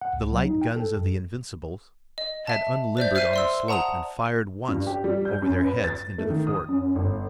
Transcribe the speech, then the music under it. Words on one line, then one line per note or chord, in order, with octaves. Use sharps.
The light guns of the Invincibles had unlimbered on the slope, and fired once over their heads into the fort.
F#5
C#2
F#3
D#4
G5
A4
F#2
D#5
E5 A5
C5 D5 E5 G6
C5 E5 F6 C7 D#7
D5 C6 E6
F#5 A5 A#5 D#6 F7
G2
G4
G3
G6
F#2
B4
A6
A3
D#3
D#6
F#2
G1